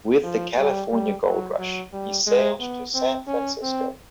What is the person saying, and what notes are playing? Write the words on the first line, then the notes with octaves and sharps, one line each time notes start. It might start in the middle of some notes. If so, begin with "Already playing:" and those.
With the California gold rush he sailed to San Francisco.
F3
G3
G3
F#3
F#3
G3
G#3
B3
C4
C#4
C4